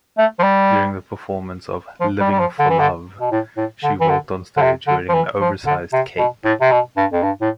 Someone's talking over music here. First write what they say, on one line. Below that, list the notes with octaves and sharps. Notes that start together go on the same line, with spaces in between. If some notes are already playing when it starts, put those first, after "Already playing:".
During the performance of "Living for Love", she walked onstage wearing an oversized cape.
A3
F3
G3
F3
G3
G3
F3
D3
E3
D3
B2
A2
A2
D3
E3
D3
D3
C3
D3
F3
E3
F3
D3
C3
B2
A2
C3
B2
G2
F2
G2
A2